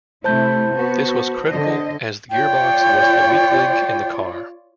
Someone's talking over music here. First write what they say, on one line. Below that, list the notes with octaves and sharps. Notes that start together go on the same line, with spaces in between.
This was critical as the gearbox was the weak link in the car.
C3 A3 E4 C5 A5 G6
B3 F#4
D3 D#5
F4 C#5 D5 G5